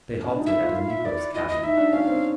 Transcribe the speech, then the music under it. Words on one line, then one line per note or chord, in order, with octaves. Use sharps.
They halted at a negro's cabin.
C#4
D4
D#4
E4 E5
F4
E4 F5
F4 E5
E4 D5
E4 D#5
D#5
E4
D#4 E5
D4
C#4 F5
C4